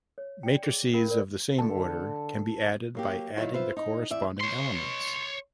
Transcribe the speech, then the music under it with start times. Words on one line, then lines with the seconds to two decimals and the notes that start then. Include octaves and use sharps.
Matrices of the same order can be added by adding the corresponding elements.
0.18 C#5
0.43 D5 G5
0.64 G#4
0.93 C#4 A#4 F5 B5
1.10 A#4 C5 D5
1.58 D3 A4
2.95 F#3 A#3 G4
3.37 D#3 F#3 E4 F4 C#5
3.54 F4 B4 C5 E5
3.77 D#4
4.10 E2 D5 E5
4.41 C#5 C6